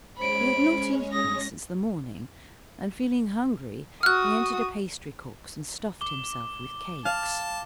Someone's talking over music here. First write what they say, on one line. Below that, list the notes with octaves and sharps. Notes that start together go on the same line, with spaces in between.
He had not eaten since the morning, and feeling hungry he entered a pastrycook's and stuffed himself with cakes.
G#3 C#4 C5 C#5 B5 D7
D#6 A#6
F#4 D#6 F6 F#6
D6 G7
F5 A5